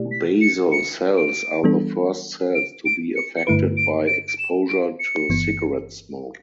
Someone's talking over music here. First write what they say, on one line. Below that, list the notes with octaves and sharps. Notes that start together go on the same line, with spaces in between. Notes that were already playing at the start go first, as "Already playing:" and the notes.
Basal cells are the first cells to be affected by exposure to cigarette smoke.
Already playing: B2 A3 E4 G4 D5
B6
C#7
C#7
D7
E3 G3 B3 D4 A4
D7
D7
C#7
C#7
G2 D3 A3 E4 B4 D7
D7
D7
D7
E7
D7
C#7
G1 G2 E3 B3